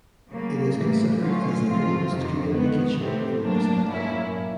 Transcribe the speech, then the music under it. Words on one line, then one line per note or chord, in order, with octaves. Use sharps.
It is considered as the oldest community kitchen in West Bengal.
C#3 F#3 A#3
A2 E3 G3 A#3
D3 F#3 A3 C#4 F4
G#2 F3 A3 C4 F4
F2 C3 D#3
D#3 G#3 B3
C3 E3 A3 C4
A2 F#3 A#3 D4
A#2 F#3 A#3 C#4 E4